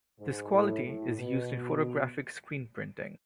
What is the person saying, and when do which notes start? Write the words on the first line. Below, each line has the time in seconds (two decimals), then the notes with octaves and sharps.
This quality is used in photographic screen-printing.
0.18 G#2
0.51 A2
0.84 A2
1.17 B2